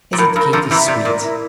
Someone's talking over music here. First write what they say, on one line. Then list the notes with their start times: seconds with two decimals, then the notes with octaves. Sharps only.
"Isn't Katy sweet?"
0.13 A#2
0.18 A2 A#4
0.36 G2 A#4
0.53 D3 F3 A#5
0.71 C3 E3 E5
0.88 C3 D5
1.05 A#2 A#4
1.23 E4